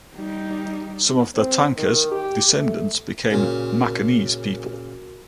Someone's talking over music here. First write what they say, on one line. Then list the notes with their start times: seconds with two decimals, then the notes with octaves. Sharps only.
Some of the Tanka's descendants became Macanese people.
0.16 G3 D#4
1.35 C4
1.76 D#3
2.11 G4
2.52 A3
3.30 A#2 C#3 F#4 A#4